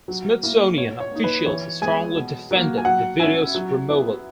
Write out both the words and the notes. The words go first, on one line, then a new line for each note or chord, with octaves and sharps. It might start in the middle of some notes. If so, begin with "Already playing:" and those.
Smithsonian officials strongly defended the video's removal.
F#3
A#3 E4
B2 C#5
C#5
A#3 D#4
B4
E3 C#5
G#3 B3 G#5
B2
F#3 A#3
G#5
F#3 F#5
C#4 E4 G#5
F#3
B3 E4